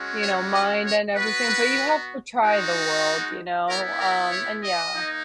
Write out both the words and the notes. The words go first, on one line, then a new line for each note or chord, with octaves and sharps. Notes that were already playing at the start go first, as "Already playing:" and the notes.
you know, mind and everything, but you have to try the world, you know, um, and yeah
Already playing: G#3 C#4 F#4
C#5
D#5
C#5
B3 F#4 B4
G#3 D#4 F#4
B3 E4 A#4
A#4
C#5
D#5
A#3 D#4